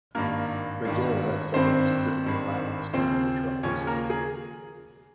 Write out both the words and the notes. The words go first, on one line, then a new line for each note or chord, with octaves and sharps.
Maghera suffered significant violence during the Troubles.
G#1 G2 D#3 A#3 A#4
G#1 G2 D#3
G#1 G2 D#3 C4 C5
G#1 G2 D#3
D#2 C#3 F3 C4 C5
D#2 C#3 F3 C#4 C#5
A#3 A#4
G#4